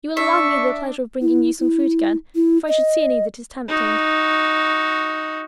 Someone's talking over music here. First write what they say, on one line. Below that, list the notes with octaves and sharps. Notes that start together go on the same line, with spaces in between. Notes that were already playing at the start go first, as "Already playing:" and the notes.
You will allow me the pleasure of bringing you some fruit again, if I should see any that is tempting.
D4 E5 C#6
E4
E4
E4
D#5
D#4 F#4